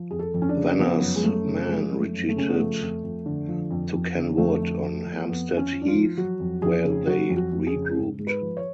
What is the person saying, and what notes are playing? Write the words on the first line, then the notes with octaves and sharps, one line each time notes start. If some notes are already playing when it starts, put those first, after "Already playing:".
Venner’s men retreated to Ken Wood on Hampstead Heath where they regrouped.
Already playing: F3
F2 G#4
A4
F2
C#4
D4
C#3
F3 B3
F#2
G#3
F#2 A3
C#3
F3 G#3
F#2
A3
F#2
A3
C#3 C#4
B3
F3 A3
F2
F2
D3
F3
F2
F2
D3
F2 A3
F2
F3
F3
F2 B3
F2
C#4
F3
D4
F4
F3
F#3 F#4
F2
F2 G#4
C#3
F#3 F#4
F2
F#4
F2
G#4
C#3
G#2
G#2
B4
F3
C#5